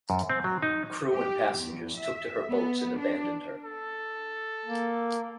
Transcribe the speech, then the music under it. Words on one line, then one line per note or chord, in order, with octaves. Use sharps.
Crew and passengers took to her boats and abandoned her.
F#2
C4
F#3
D#4
G4
E2
E5
B3
D4
A4
A#3